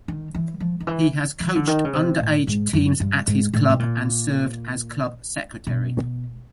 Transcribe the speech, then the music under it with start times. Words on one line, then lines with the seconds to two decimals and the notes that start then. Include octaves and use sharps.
He has coached underage teams at his club and served as club secretary.
0.08 D#3
0.35 E3
0.60 F3
0.80 D#3
0.87 E3
1.40 E3
1.56 D3
1.67 D#3
1.85 C#3
1.93 C3
2.20 A2
2.47 G#2
2.73 F#2
3.00 G2
3.27 G#2
3.53 A2
3.70 B2
3.79 A#2
5.67 B2